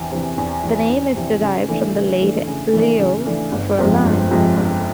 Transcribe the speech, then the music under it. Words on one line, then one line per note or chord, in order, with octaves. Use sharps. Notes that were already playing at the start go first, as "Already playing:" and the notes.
The name is derived from the Latin "leo" for "lion".
Already playing: E2 C3 E3
C3 E3
E2
C3 E3
E2
C3 E3
C#3
E3 A3 D4
C#3
E3 A3 D4
C#3
E3 A3 D4
C#3
E3 A3 D4
G1
F2 C3 F3 G#3
G1
F2 C3 F3 G#3
G1